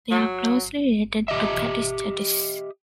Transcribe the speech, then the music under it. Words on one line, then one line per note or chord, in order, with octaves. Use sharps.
They are closely related to "Pachystachys".
F#3
G4 D#5 E5